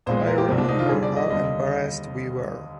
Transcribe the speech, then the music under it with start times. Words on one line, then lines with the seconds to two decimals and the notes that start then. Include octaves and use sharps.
I remember how embarrassed we were.
0.06 A#1 A#2 G#3 C5
0.17 C5
0.27 A#4
0.38 G4
0.48 C2 C3 F3 G#3 C4
0.58 D4
0.69 D#4
0.79 F4
0.89 G1 F2 D3 G3 G#4
1.03 D5
1.16 D#5
1.30 D#2 D3 G3 D#5